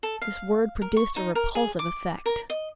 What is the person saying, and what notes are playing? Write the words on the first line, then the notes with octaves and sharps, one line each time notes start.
This word produced a repulsive effect.
A4
F5
A#4
C#6
D#4
A#4
G#4
D6
A#4
D#5